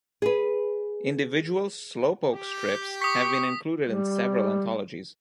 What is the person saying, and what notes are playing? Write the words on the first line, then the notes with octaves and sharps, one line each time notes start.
Individual "Slowpoke" strips have been included in several anthologies.
G#4 B4
G4
C#6 D#6 B6
G3